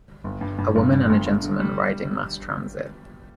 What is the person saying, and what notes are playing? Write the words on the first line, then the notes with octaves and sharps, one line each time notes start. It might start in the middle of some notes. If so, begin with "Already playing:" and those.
A woman and a gentleman riding mass transit.
G1
G2
G2
G1
G2
G1
G1
D3
G3